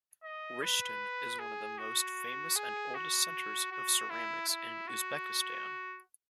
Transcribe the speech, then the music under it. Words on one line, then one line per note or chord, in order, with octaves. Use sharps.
Rishton is one of the most famous and oldest centers of ceramics in Uzbekistan.
D#5
B4
G#4
F#4
G#4
F#4
F#4
E4
E4
F#4